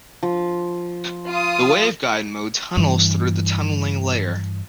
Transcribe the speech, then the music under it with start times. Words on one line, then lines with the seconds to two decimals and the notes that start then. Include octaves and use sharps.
The waveguide mode tunnels through the tunneling layer.
0.23 F3
1.27 F4 D#6
2.77 G2 E3